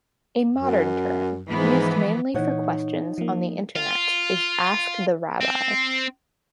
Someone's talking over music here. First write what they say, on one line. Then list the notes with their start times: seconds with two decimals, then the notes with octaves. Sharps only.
A modern term, used mainly for questions on the internet is Ask the rabbi.
0.56 F#2
1.49 G#2 E3 F3 B3
2.34 A#2 E3 D#4 C#5 F#5
3.18 F3 A#3
3.75 F4
5.41 C4